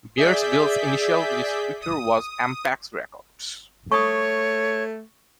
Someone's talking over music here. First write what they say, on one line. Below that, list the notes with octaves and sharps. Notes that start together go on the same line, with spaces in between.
Bearsville's initial distributor was Ampex Records.
G#4 D5 E5 G6 B6
D#6
A3 C#5 C#6 D#6